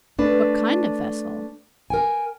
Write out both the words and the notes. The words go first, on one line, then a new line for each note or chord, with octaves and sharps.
What kind of vessel?
A3 D4 B4
A#4 G5 G#5